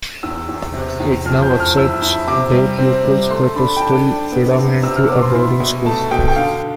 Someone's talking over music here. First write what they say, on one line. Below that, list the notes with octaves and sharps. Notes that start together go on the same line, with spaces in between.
It now accepts day pupils but is still predominantly a boarding school.
E2 E6
E2
C3
E2
F2 F6
G6
F2
F6
E4 E6
E4
C3 D6
G3
C4
G3
A3 C6
D4 B5
G5
D4 A5
D4
B3
C3
C3 E6
F6
B3 D6
C6
E4 C6
B2
A3 A5
B2 G5
G5
D3 F5